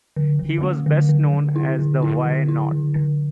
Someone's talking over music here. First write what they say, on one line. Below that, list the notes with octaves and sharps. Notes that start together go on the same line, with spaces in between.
He was best known as the Why Not?
D3
D3
A3
D3
D3
D3
E4
D3
E4
D3
E4
D3
D3